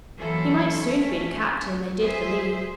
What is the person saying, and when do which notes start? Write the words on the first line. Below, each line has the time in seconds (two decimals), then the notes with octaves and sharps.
He might soon have been a captain, they did believe!
0.18 E3 F#3 A#3 E4 A4 C5
0.78 A3 C#4
2.00 G#4 C5 E5